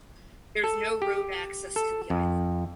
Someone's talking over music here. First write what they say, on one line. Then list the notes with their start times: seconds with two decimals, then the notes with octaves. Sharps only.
There is no road access to the island.
0.64 A4
1.02 G4
1.76 A4
2.10 F2